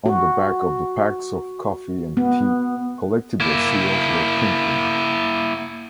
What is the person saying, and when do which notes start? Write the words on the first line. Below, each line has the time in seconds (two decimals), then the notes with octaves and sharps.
On the back of the packs of coffee and tea, collectible seals were printed.
0.06 F#4
2.17 B3
3.40 A#3 E4